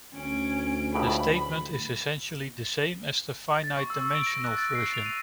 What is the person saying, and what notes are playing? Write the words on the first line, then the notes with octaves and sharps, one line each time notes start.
The statement is essentially the same as the finite-dimensional version.
D2 C#4 D7
C#2 A2 C#3 B5
A6
C#6
E6
E6
D7
A#6
F#6
A6
C7
F7
D#7